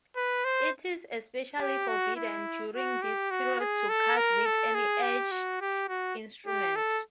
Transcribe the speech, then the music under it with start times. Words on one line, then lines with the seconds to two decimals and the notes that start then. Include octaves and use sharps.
It is especially forbidden during this period to cut with any edged instrument.
0.16 B4
0.45 C5
1.59 G4
1.88 F#4
2.16 E4
2.74 F#4
3.02 G4
3.31 F#4
3.60 G#4
3.89 A4
4.17 A#4
4.46 A4
4.75 G#4
5.03 G4
5.31 F#4
5.61 G4
5.88 F#4
6.47 G4
6.76 A4